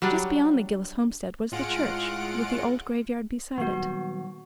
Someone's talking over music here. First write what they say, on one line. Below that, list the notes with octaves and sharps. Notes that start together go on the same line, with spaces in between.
Just beyond the Gillis homestead was the church, with the old graveyard beside it.
F#3 G3 D4 D5
A2 G#3 F4 F#5 D7
A#2 D#3 F#3 G3 A#3 B3 F#4